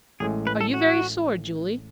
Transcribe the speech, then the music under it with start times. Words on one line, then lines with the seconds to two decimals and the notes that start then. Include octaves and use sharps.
"Are you very sore, Julie?"
0.20 A1 A2 G#3 G#4
0.47 B4
0.61 A4
0.74 F#4